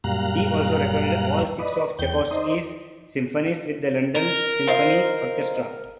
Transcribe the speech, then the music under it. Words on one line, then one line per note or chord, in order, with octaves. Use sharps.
He also recorded all six of Tchaikovsky's symphonies with the London Symphony Orchestra.
F#2 A#2 G3 F5 A#5 F#6
B4 D5 D#5
E2 G5 G6
D#4 C5 D5 D#5
A#4
F4 C5 D#5